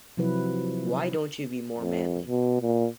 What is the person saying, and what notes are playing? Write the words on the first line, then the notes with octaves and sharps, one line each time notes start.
Why don’t you be more manly.
C3 F3 F#3 E4 B4
F2
B2
A#2